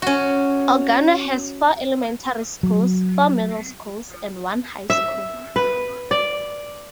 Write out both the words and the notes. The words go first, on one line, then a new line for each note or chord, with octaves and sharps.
Ogano has four elementary schools, four middle schools and one high school.
C#4 F#4
F#3
E5
B4
D5